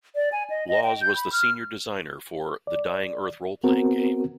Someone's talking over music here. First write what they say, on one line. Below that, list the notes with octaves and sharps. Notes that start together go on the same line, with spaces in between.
Laws was the senior designer for "The Dying Earth Roleplaying Game".
D5
G#5
D#5
D#5
G5
G6
B5
F6
D5
B3 C4 F#4 A#4